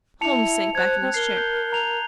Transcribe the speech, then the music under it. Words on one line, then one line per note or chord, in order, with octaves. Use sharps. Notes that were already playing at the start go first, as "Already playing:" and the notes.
Holmes sank back in his chair.
E4 A5 C#7 F7
C5 F#6 G#6
C4
A#4 C7 G7
G6
A#5 F7